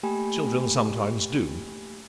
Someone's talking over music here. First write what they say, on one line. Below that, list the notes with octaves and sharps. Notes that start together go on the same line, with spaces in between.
Children sometimes do.'
A3 A#3 G4 G5 G#5 B5